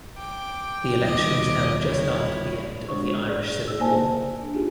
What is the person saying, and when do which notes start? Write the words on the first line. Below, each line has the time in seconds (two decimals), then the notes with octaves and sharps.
The election was held just after the end of the Irish Civil War.
0.17 G5 D6
1.03 D#1 D#2 D#5 D6
1.84 E4 C#5
2.89 G#3 D4 C#6
3.28 G#4 D5
3.68 E6
3.80 A#3 D#4 C5 G#5 A5
4.42 D4
4.54 D#4 F4 G4 G#4